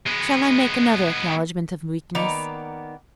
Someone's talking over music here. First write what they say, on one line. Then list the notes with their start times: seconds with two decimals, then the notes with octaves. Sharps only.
Shall I make another acknowledgment of weakness?
0.07 G#3 B3
2.15 D#3 A#3 B3 D5 A#5